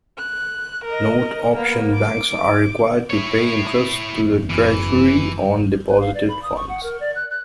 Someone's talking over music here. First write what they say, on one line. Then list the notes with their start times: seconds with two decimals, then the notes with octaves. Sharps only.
Note option banks are required to pay interest to the Treasury on deposited funds.
0.18 F#6
0.85 A#4 D#5
1.54 A#3 B3
1.94 D6
3.10 E4 C#5
4.08 F#1 E2
4.50 E3
5.88 B4
6.00 F5
6.14 D5
6.28 B5
6.43 D#6
6.56 C#6
6.69 F#5
6.83 A#4
7.00 D5
7.15 F#6
7.30 F#6